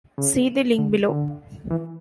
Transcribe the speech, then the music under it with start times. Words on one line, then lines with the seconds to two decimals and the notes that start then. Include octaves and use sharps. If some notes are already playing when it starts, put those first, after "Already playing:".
See the link below.
0.18 C#3
0.78 D3
1.09 D3
1.71 E3